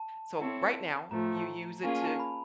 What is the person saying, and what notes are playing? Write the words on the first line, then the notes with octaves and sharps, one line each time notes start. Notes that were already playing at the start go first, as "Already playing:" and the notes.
so right now you use it to"
Already playing: A5
C4 E4 A4 C#5
A2 F3 A3 A#5
A#3 C#4 F4 G#4 G#5
A5
B5